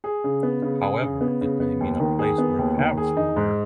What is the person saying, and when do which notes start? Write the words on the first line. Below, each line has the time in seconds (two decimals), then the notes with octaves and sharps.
However, it may mean a place where calves were reared.
0.04 G#4
0.24 C#3
0.43 B3
0.62 C#3
0.82 G#4
1.02 C#3
1.21 B3
1.41 C#3
1.60 B3
1.80 D#2
2.00 D#3
2.19 G#4
2.38 B3
2.58 D#2
2.78 D#3
2.97 G#4
3.17 D#4
3.36 G#2